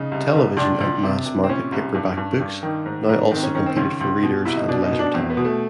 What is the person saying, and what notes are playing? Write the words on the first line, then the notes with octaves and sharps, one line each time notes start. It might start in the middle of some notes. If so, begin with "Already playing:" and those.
Television and mass market paperback books now also competed for readers and leisure time.
Already playing: C#3 D#4
C2
C2
C#2 D4
C#2
C3
C3
C4
A#2 C#4
C2
G2
G2
G2
D#3
G#2
G#2
D#3 C4
C#4
D#3 C#4
C4
C#2 C#4
C#2
B2
C2 E4
D#4
B2 D4
D#4
B2
D4
E2 C4
B3
B2
A3